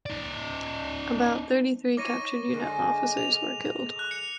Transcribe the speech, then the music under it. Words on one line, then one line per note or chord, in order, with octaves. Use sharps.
Around thirty-three captured unit officers were killed.
D#4 D5
D#4 C#5 D6 A#6 D#7
F#2 D3 G#3
F7
F#6
C#7 F7